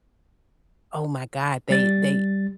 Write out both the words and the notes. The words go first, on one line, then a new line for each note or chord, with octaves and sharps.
oh my god, they they
G3 A6